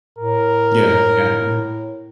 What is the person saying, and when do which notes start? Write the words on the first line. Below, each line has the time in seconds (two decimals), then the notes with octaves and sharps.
Yeah, yeah, yeah.
0.19 A2 A#4